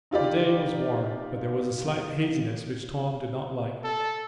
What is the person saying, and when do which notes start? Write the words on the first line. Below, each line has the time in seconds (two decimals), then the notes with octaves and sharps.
The day was warm, but there was a slight haziness which Tom did not like.
0.11 D#4 F4 G4 D5
3.84 A4